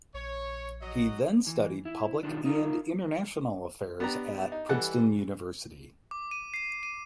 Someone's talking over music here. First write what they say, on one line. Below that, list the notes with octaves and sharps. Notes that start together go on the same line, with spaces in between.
He then studied public and international affairs at Princeton University.
A#1 C#5
F#3 D#5
E3
E4
B2 D#3 F3 D4
D#4 F4 A#4
B3 D4 G4 A#5
D#4
E3 G3 A4 F#5
D6
D#7
C7
D#7